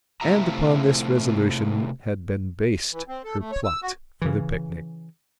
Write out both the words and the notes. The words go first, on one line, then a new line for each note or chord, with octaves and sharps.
And upon this resolution had been based her plot for the picnic.
C3 A3 E4 F4 E5 A#5
E3
C4
A4
A3
C#5
E6
F#4
C#3 E3